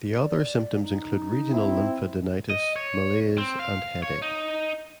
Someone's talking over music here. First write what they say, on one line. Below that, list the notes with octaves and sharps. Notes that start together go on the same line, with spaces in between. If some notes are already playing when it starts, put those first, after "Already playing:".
The other symptoms include regional lymphadenitis, malaise, and headache.
D5
D#4
C4 E4
D#5
C#5
C4
F5
C#5
D#4